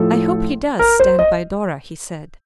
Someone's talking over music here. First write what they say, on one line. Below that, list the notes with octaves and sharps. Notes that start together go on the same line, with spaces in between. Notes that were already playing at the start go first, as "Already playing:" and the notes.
"I hope he does stand by Dora," he said.
Already playing: A2 F3 A4
A#4
C5
D#5